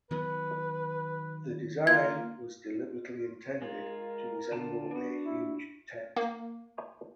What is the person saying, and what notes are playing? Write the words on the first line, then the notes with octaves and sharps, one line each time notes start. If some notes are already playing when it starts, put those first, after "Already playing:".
The design was deliberately intended to resemble a huge tent.
D#3 F#3 B3 B4
A#3 F4 G#6
G#3 F4 A#4
D3 F4 A5
B3 D4 F#4
E4
A#3